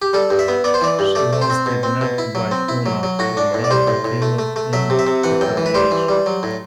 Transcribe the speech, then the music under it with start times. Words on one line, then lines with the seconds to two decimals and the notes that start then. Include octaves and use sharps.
She was kidnapped by Puna, whom Rata killed in retaliation.
0.02 G4
0.13 G3 A4
0.30 G2
0.39 E5
0.48 B3
0.64 B3 D5
0.74 C5
0.81 E3 D5
0.99 G2
1.15 A3 D5
1.33 A3
1.42 C5
1.50 C4
1.66 B2
1.83 C4
2.01 B2
2.18 E4
2.35 F#3
2.51 C4
2.68 E4
2.86 F#3
3.03 F#3
3.19 A2 F#4
3.37 D4
3.54 A2
3.64 D5
3.70 G3 C5
3.87 A2
4.04 A2
4.22 A3
4.39 A3
4.56 A3
4.73 F#3 E5
4.90 C3
4.99 E5
5.07 C3
5.23 E3 F#5
5.41 F#2 G5
5.57 E3
5.66 B4
5.74 G3 C5
5.91 E3
6.09 G3
6.26 F#3
6.43 A2